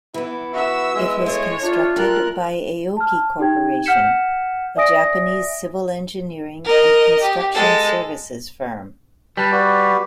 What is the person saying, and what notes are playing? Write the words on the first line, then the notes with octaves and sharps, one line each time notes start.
It was constructed by Aoki Corporation, a Japanese civil engineering and construction services firm.
E3 B3 E4
F#4 E5 E6
G#3
A3 C#5
D4 F4
G3 A4 A#4 F#6
A5 F6
D#4 G4 G5 G#6
F#5 F6 G6 B6 C#7 E7
D5 E5 G#5 D#6 A#6 D7
A#4 D#5
G4
G#3 A4
G3 B4 A5
F#4 B4 D5